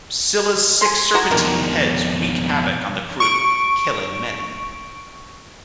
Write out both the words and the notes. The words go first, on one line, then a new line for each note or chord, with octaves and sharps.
Scylla's six serpentine heads wreak havoc on the crew, killing many.
G#5 C6
G#3 F#4 A#5
F2 B2 D#3 D4 A#4
C#6 D7